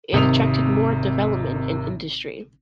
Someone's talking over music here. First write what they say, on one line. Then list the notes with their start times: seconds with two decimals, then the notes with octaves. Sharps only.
It attracted more development and industry.
0.13 G#1 C3 D#3 D#6 F7